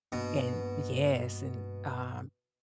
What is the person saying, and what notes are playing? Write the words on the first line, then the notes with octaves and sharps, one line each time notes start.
And yes, and, um,
G2 B2 A#3 D4